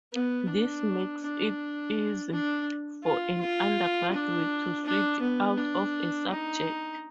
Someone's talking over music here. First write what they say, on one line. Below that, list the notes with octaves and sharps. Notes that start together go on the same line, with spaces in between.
This makes it easy for an undergraduate to switch out of a subject.
B3
D4
D4
D4
F4
F4
D4
D4
B3
D4
D#4